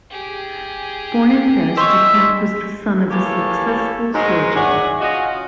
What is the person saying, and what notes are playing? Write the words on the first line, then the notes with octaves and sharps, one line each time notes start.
Born in Paris, Du Camp was the son of a successful surgeon.
G4 G#4
C5 C#5 D#5 E5
E3 A#3 G4 A4 C#5
G#2 D#3 F#3 G#3 D#5
G#4 C#5 D5 E5 F#5
C#4 F4 F#4 D#5